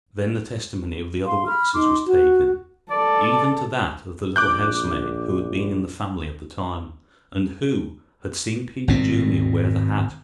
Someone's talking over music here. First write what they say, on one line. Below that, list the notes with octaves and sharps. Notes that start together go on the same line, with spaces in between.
Then the testimony of the other witnesses was taken, even to that of the little housemaid who had been in the family at the time, and who had seen Peter Junior wear the hat.
F5 C6
B5 F6
D#4 C6 D6
F#4
A4 D5
A#1 D6 F#6 G6
G#1 B2 C4